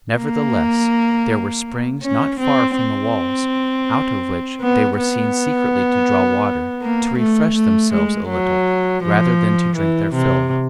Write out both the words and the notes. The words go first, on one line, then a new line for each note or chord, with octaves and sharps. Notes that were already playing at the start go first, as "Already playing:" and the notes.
Nevertheless there were springs not far from the walls, out of which they were seen secretly to draw water, to refresh themselves a little rather than to drink their fill.
A#3
C#4
C4
C4
B3
B3
A#3
A3
A3
G#3
F#3
F3
E3
C3